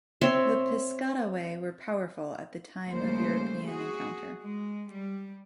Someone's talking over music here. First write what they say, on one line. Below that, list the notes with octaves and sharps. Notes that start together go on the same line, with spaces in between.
The Piscataway were powerful at the time of European encounter.
C4 C#5 E5 C6
D#2 C#3 G3 A3 C5
F#4 G#4
G#3
G3